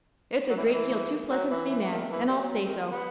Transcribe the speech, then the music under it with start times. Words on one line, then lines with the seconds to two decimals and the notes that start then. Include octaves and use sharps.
It's a great deal too pleasant to be mad, and I'll stay so.
0.50 F#3
0.57 E3
0.65 D#3
0.73 E3
1.30 F#3
1.51 E3
1.70 E3
1.82 E3
1.91 D#3
2.11 E3
2.27 G3
2.38 F#3
2.65 D#3
2.92 B3